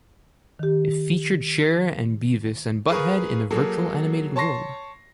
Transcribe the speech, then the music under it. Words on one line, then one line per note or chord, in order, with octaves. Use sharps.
It featured Cher and Beavis and Butt-Head in a virtual animated world.
D#3 G4
G#4 A#4 B4 F5 C#6 D#6
F#3 A#3 G#4 A4
C#5 A5 C6 C#6 A#6 C7